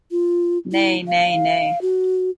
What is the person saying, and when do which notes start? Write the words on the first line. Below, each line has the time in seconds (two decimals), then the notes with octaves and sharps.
Ne, ne, ne.
0.11 F4
0.72 E4
1.08 F5
1.82 F#4